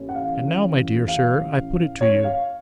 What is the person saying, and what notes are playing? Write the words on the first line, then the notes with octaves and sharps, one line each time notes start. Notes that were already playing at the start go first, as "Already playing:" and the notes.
And now, my dear Sir, I put it to you.
Already playing: A1 A2 A#3 C#4
F#5
F5
F5
C#5
F5